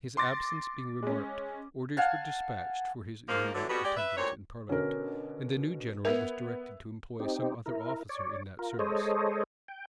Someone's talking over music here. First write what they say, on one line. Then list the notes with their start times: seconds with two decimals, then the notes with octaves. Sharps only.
His absence being remarked orders were despatched for his immediate attendance in parliament; and the new general was directed to employ some other officer in that service.
0.17 C6 D6 A6 A#6
1.03 G#3 C#4
1.97 F5 F#5 G#5 A5
3.29 G#2 F3 A#3
3.54 D3 E3 F#3
3.70 F2 B2 G3 B3 F#4 G4
3.84 G#3 G4 D5
3.97 B4 E5
4.17 D2 A#2 G4 C5 C#5
4.69 B2 D3 C#4 A#4
6.05 B3 A#4 E5 G#6 F7
7.20 C4 D#4 G4
7.66 E4 A#4
8.09 C#5 D5
8.59 F4 A#4
8.79 G#3 A4 C5 C#5 D#5
9.68 G5